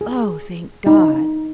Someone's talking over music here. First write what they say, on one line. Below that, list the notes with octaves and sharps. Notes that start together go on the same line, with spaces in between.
Oh, thank God!
G#4
D#4